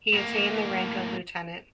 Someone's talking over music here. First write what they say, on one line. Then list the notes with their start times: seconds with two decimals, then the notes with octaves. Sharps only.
He attained the rank of Lieutenant.
0.13 A2 A#3